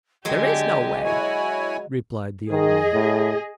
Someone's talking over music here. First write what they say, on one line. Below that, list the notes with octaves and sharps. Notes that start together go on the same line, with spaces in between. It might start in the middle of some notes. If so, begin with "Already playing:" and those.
"There is no way," replied the old man.
D3 F#3 G#3 G4 D#5 G#5
E4 F#4 C#5 G#5
D#3 G#4 D#5
A2